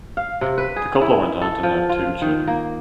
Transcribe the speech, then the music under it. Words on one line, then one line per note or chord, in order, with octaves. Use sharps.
The couple went on to have two children.
F5
C3
B4
G#4
E4
A4
F3
F4
D#3
A#3